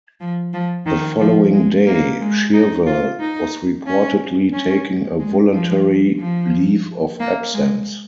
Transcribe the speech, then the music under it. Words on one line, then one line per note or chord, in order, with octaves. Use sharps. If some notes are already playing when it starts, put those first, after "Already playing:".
The following day, Shirvell was reportedly taking a voluntary leave of absence.
F3
F3
D#3
F3
G#3
A#3
G#3
D#4
F4
D#4
C#4
C#4
G#3
F3
F3
A#3
G#3